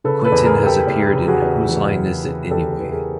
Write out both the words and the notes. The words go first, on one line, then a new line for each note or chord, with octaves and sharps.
Quentin has appeared in Whose Line Is It Anyway?
C#3 A4 B4
A4 B4
E2
G#4 A#4
E3 G#4
G4 A4
E2
C#3
F#4 G#4
E2
E3
E2
C#3
E2 G4 A4
E3
B4
G#4 A#4